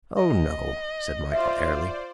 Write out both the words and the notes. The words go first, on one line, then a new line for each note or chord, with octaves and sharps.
"Oh, no," said Michael, airily.
D#5
F4 C5 D5 E5